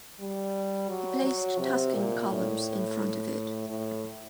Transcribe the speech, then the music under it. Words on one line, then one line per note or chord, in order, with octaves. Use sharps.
He placed Tuscan columns in front of it.
G3
F#3
F#3
C3
A#2
A2
A2